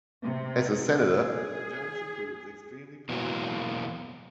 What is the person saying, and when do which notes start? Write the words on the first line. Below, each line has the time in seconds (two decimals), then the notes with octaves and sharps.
As a senator, Johnson proved extremely popular.
0.22 C3
1.07 G#4
3.09 B2 E3 F#3 A#3